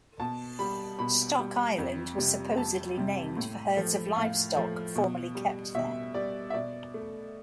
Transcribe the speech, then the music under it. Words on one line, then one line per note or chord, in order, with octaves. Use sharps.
Stock Island was supposedly named for herds of livestock formerly kept there.
B2 A5
G3 B5
B2 B5
G3
F2
C3 G3
F2 A5
C3 G3
A2
F3 A3
A2 F5
F3 A3
B2
G3
B2 E5
G3 D5
E5
B2 D5
A3